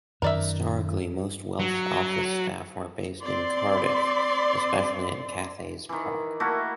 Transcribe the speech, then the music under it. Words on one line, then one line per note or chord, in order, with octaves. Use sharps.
Historically, most Welsh Office staff were based in Cardiff, especially in Cathays Park.
F#2 D#3 A#4 D5 E5
F#3
C4 D5 C6
D#3 E3
A3 A#3 E4 F#4